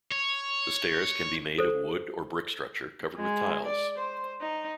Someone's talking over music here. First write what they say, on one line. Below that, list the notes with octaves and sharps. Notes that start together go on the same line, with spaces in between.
The stairs can be made of wood or brick structure covered with tiles.
C#5
A4 C5
G#3
D5
C5
D#4